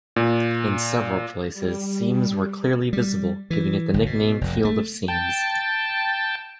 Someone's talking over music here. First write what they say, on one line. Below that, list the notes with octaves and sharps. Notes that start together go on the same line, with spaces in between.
In several places, seams were clearly visible, giving it the nickname "Field of Seams".
A#2
G3
G3
E3
G1
B2
F1
A3
G5 A5